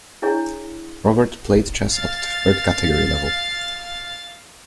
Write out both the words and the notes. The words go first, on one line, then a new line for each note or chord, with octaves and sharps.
Rogard played chess at third category level.
D4 E4 G#4 C#5 D5
F5 A6